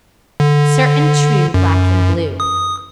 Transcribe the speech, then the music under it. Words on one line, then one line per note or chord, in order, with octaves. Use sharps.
Certain, true, Black and blue.
D3
F#2
D#6